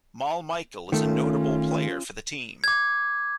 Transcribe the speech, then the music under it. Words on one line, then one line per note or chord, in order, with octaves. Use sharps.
Mal Michael is a notable player for the team.
D#3 A3 C#4 F4
D6 G#6